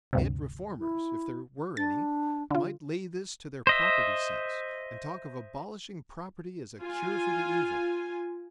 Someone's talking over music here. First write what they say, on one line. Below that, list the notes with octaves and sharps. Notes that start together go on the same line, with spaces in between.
Ant reformers, if there were any, might lay this to their property sense, and talk of abolishing property as a cure for the evil.
D2 G2 C3
E4
D4 A6
D3 F4
C5 D#5 E5
F4 G#5